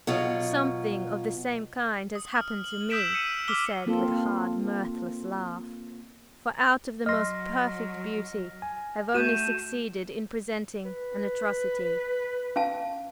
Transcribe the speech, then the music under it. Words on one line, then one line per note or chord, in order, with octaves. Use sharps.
"Something of the same kind has happened to me," he said with a hard, mirthless laugh, "for out of the most perfect beauty I have only succeeded in presenting an atrocity."
B2 F#3 F4
D#6
F6
F#7
D#6 E6 G6 B6 D7 E7
C#7 D#7
D6 E6 F6 B6 G7
A#3 C4 F4 A4
F#3 D#5 C6 F6 A#6
G#5
A3 F#4 G6 D#7 E7
B4
C#4 F5 A5